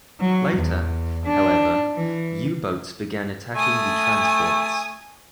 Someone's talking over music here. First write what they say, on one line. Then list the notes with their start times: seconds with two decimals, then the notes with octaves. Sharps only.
Later, however, U-boats began attacking the transports.
0.20 F#3
0.56 E2
1.25 D4
1.95 E3
3.55 A3 G#5 D#6